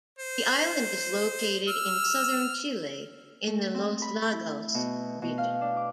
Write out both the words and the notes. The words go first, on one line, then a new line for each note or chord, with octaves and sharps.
The island is located in southern Chile, in the Los Lagos Region.
C5
E6 F6
A3
C4
B5
E4
B2
B2
F5
D4
D6